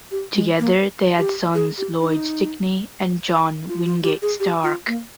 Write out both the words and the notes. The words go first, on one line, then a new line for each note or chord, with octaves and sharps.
Together they had sons Lloyd Stickney and John Wingate Stark.
G4
G#3
A#3
G4
G#4
G4
D#4
F4
F4
G4
G#4
G4
F4
A#3